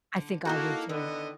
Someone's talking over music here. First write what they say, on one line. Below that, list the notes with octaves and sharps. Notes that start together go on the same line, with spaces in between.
I think I would too.
D3
A#3 D#4 E4 F#4 A4
D3 D#3 B3 D#5